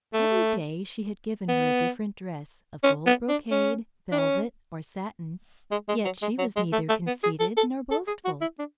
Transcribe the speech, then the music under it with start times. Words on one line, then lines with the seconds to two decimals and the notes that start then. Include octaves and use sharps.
Every day she had given her a different dress, of gold brocade, velvet, or satin; yet she was neither conceited nor boastful.
0.13 A3
1.49 B3
2.84 C#4
3.06 B3
3.29 D4
3.51 C#4
4.12 D4
4.19 C#4
5.71 G#3
5.89 G#3
6.05 F#3
6.22 G#3
6.39 F#3
6.56 G#3
6.72 A3
6.89 A3
7.07 B3
7.23 G#4
7.40 A4
7.57 A4
7.91 A4
8.07 G#4
8.25 F#4
8.41 E4
8.59 D4